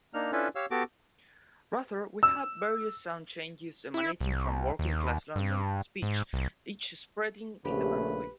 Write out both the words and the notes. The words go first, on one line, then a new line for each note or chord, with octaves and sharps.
Rather, we have various sound changes emanating from working-class London speech, each spreading independently.
A#3 D4 D#4 F6
C#4 D4 E4 F4 A4 B4
G4 C#5 F5 E6
B3 F#4 G4 A4 D6
E6
E4
C2
D#2
G2
G#2
C2
A#1 C#3 A3 G4 B4